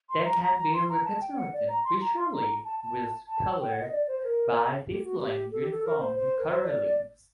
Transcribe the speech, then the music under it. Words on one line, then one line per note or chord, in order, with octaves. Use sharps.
They can be represented visually with colors by different uniform colorings.
C6
A#5
A#5
A#5
C6
A#5
A5
G5
F#5
D5
A#5
C6
A#5
C6
A#5
A5
A5
A5
G5
F#5
D#5
D5
C5
A#4
G4
F#4
G4
A4
G4
A4
A#4
C5
C5
A#4
C5
D5